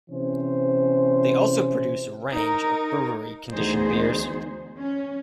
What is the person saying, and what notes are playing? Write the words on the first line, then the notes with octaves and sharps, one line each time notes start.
They also produce a range of brewery-conditioned beers.
C3 E3 C#4 C5
D#4 A#4
D2 E3 B3 D#4 G#4 C5
C#4